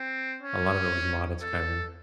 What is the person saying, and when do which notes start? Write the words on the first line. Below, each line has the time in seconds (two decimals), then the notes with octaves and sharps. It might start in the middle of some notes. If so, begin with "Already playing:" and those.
a lot of it was modded Skyrim.
Already playing: C4
0.42 C#4
1.42 A4